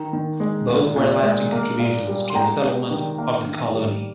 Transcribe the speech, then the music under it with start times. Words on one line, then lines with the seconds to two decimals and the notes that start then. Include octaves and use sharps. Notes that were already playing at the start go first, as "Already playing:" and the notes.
Both were lasting contributions to the settlement of the colony.
Already playing: D#3 A#5
0.13 D#3
0.40 G#3
0.69 A#2
0.96 A#2
1.23 G#3
1.52 A#3
1.80 A#2
2.07 G3
2.30 C6
2.35 G#3 G5 A#5
2.62 C3
2.90 D#3
3.18 A#3
3.46 D#3
3.74 G3